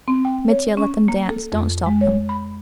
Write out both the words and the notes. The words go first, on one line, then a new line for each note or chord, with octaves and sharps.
Mitya, let them dance, don't stop them.
C4
G5
C#5
C#4
A#3
A4
F2
G#3
C#5
B5